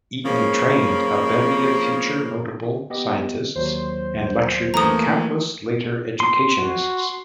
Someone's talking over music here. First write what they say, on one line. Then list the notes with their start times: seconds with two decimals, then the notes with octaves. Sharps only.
Eaton trained a bevy of future, notable, scientists and lectured to countless later educationists.
0.25 C#3 F3 A#3
2.90 B3 G4 D#5
3.55 D#2 F#3 C5
4.74 E3 A3 A#3 A#5 D#6
6.20 C6
6.57 F#4